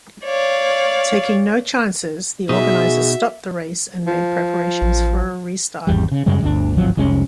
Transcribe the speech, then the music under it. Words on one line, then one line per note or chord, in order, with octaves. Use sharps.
Taking no chances, the organizers stopped the race and made preparations for a restart.
C#5 D5 F5
B2 D#4 F#4 G#4 E5
F3
A1
G#1 E2 G3
C#3
F#2 C#3 G3 G#3
G1 D2 D4
D1 G#1 F3 F#3
F1 C2 G#3 C#4